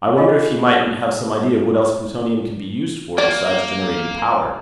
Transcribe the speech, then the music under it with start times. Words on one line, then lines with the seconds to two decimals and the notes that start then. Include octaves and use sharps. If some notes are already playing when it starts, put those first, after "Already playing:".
"I wonder if he mightn't have some idea of what else plutonium can be used for, beside generating power."
0.17 F4 G#4 D#5 F5 G#5
3.18 A#3 D5